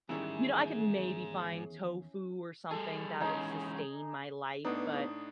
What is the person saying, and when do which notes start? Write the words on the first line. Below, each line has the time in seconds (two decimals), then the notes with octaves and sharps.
you know, I could maybe find tofu or something that would sustain my life, but
0.09 E2 G#2 D#3 G3 C#4 E4 G#4
2.71 G3 G#4 A4
3.20 E3 G#3 C#4 D#4 G#4
4.65 A2 B3 D4 D#4